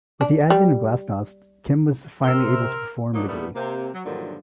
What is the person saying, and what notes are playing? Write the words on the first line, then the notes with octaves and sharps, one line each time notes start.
With the advent of glasnost, Kim was finally able to perform legally.
D4
G3
C3 C4 A#4 C6 E6
D#3 F3 F#3 A#3 D4 D#4
A#2 D#3 G3 A3 B3
C3 A#3
F#3
G2 A#2 D3 D#3 F3 F#3